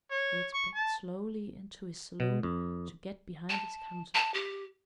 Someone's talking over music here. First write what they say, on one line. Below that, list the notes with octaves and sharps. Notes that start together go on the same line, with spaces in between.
Woods backed slowly into his saloon to get behind his counter.
C#5
C#6
A5
B2
F2
A5
A5
G4